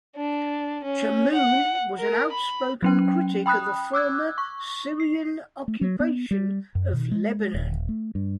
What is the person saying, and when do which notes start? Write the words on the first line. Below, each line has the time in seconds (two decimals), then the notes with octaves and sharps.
Chamoun was an outspoken critic of the former Syrian occupation of Lebanon.
0.16 D4
0.84 C#4
1.35 F#5
1.98 A#4
2.32 B5
2.83 F#3 C#4 G5
3.46 G5 B5 D#6 F#6
3.93 D6 E6 F#6 G#6
4.38 C#6
5.00 C7
5.68 A3
5.81 F#3
6.00 B3
6.31 G3
6.75 F#2
6.93 B2
7.11 G#3
7.54 D#1
7.89 A3
8.15 G2